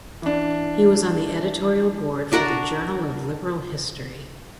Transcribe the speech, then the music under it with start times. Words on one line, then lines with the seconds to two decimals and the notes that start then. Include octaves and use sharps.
He was on the editorial board for the "Journal of Liberal History".
0.22 E3 D4
2.32 D4 F#4 A#4 F#5